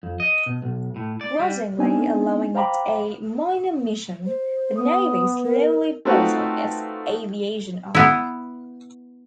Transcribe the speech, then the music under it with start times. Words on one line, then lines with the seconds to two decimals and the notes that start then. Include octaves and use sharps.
Grudgingly allowing it a minor mission, the navy slowly built up its aviation arm.
0.03 F2
0.20 D#5
0.46 B2
0.62 B1
0.96 A2
1.21 D5
1.39 G3
1.79 B3 C4 D4 D#4 G#5
2.55 C5 F5 G5 A#5 B5 D6
4.26 C5
4.77 B3 D#6
5.44 A#4
6.05 A3 C4 D#4 F4 F#4 B4
7.95 B3 E4